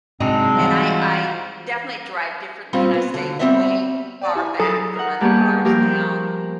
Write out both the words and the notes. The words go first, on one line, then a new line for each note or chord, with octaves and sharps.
And I I definitely drive differently and I stay way far back from other cars now.
G#2 C3 F#3 G#3 C4 D4 D#4
E3 G3 F4 F#4 C5
A#2 G3 C4 C#4 F4
B3
D#2 D3 F#4
G3 B3 C4 C#5 D#5 E5
D5 G5 A#5
E4 G4 G#5
F#3 G#4 A4 D#6
A#4 F#5
G2 A#3 B3 G4 G#4 C#6
F3 A#3 G4 A#4 C5